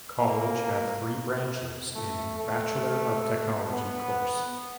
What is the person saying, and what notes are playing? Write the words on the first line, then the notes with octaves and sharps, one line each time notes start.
College have three branches in Bachelor of Technology course.
A#3
A3
A3
B3